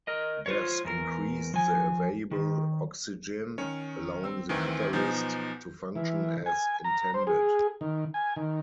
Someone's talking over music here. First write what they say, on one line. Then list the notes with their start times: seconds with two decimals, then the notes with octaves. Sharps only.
This increased the available oxygen, allowing the catalyst to function as intended.
0.07 A#4 D#5
0.46 F4 C5 C#5
0.85 E2 A#4
1.54 F3 G#5
2.31 D#3
3.58 D#3 C#4 C#5
4.24 C4 E6
4.49 D2 D#3 E3 C4
4.93 B1 F3 B3 D#4 G#5 G6
5.95 E3
6.46 G#5
6.84 A#5
7.14 C5
7.27 G#4
7.81 D#3
8.14 G#5
8.36 D#3